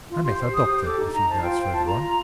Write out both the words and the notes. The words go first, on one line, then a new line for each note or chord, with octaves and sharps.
I met our doctor a few yards further on.
F4
G4 C6
C5
G4 D#6
G4 D#6
A4 D6
D#4
D#4 A#5
C5 A5
F4 G5
C5 G5
F4 A5
F4 A#5
F4